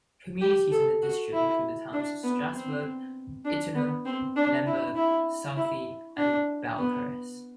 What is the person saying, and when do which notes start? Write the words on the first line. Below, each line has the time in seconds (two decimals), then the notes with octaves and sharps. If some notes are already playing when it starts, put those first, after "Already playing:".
Communities in the district include the towns of Strasbourg, Ituna, Lemberg, Southey, and Balcarres.
0.41 G4
0.72 A4
1.02 F#4
1.33 E4
1.93 D4
2.23 B3
2.53 C4
3.45 D4
3.75 B3
4.05 C4
4.36 D4
4.66 E4
4.96 E4
5.57 E4
6.17 D4
6.78 B3